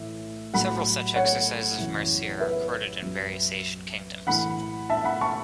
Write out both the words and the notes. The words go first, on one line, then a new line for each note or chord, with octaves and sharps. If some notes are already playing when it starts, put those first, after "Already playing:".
Several such exercises of mercy are recorded in various Asian kingdoms.
Already playing: A2 E3 E5
A2 F#3 F#5 B5
C#5 F#5
F#2 C#3 E3
B4 E5
F#2 F#3
A2 E3 F#5 B5
E5 A5
F#5 B5
A5 C#6